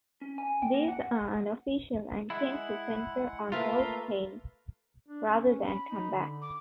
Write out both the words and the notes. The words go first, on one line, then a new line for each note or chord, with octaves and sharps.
These are unofficial and tend to centre on role-playing rather than combat.
C#4
G#5
G5
A#3
F#5
G#3 E4 F#5
A3 A#3 F4 B4 E5 F5 A#5
D4
C#4
B5
D#4
D3
D6